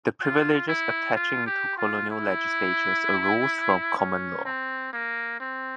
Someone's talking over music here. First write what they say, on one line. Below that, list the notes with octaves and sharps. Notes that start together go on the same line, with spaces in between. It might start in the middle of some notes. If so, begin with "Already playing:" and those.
The privileges attaching to colonial legislatures arose from common law.
F4
E4
F4
G4
F4
E4
C#4
C4
A#3
C4